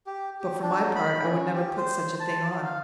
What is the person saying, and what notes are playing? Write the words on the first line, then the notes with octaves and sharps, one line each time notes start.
But, for my part, I would never put such a thing on.
G4
G4
D4
F#3
B5
C#4
G4
C5
A5
F#3
F5